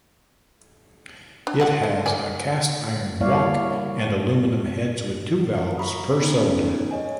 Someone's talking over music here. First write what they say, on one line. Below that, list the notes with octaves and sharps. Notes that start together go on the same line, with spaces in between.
It has a cast iron block and aluminum heads with two valves per cylinder.
D4
D3 F#5 A5
C5
A#3 D5 G#5
G3 A#3 E4 C#5 D5 F5
A#5 B5 C#6 D#6
B3 C#4 D#4 A4
C#5 D#5 G#5